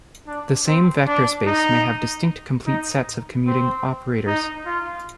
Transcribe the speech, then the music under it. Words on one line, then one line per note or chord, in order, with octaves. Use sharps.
The same vector space may have distinct complete sets of commuting operators.
D4
C4
D4
D#4
D#4
C4
D#4
F4